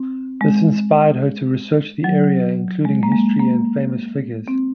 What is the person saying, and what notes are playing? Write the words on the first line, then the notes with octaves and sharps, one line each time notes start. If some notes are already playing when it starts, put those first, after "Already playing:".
This inspired her to research the area, including history and famous figures.
Already playing: C4
G#3
F#3
G#3
A#3
G#3
A#3
C4